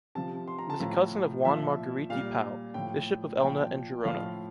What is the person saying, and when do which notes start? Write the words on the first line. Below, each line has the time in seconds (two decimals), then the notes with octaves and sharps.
He was a cousin of Juan Margarit y Pau, bishop of Elna and Gerona.
0.15 C3 F3 A5
0.48 C6
0.59 A#5
0.70 A5
0.80 A2 F3 A#5
1.45 A#2 F3 E5
2.10 A#2 G3 F5
2.74 A2 F3 G5
3.39 A#2 F3 G5
4.05 A2 F3 F5